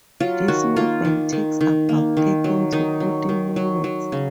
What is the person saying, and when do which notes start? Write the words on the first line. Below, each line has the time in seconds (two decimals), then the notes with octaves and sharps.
This movement takes about thirteen to fourteen minutes.
0.20 F#3 F4
0.48 D#3 F#4
0.76 A#3 F4
1.05 D#3
1.33 D#3
1.61 D#3
1.89 A#3
2.17 D#3
2.44 F#3
2.72 D#3 D#4
3.00 F#3
3.29 D#3
3.56 F#3
3.84 F#3
4.12 C#3